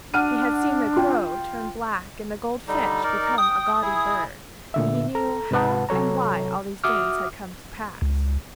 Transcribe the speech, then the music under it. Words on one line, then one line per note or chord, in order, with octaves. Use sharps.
He had seen the Crow turn black and the Goldfinch become a gaudy bird, and he knew how and why all these things had come to pass.
D4 F#5 F6 D#7
F4 G5
D3 G3 D#4
D#4 A#4 D5
G5 D#6
E4 G#4
A#2 D3 E5
A4 A#5
G#2 C3 G#3 B4 F#5 A5
C3 F#3 A4 C#5 A#5
F#4 E5 D6 D#6 F6
C#2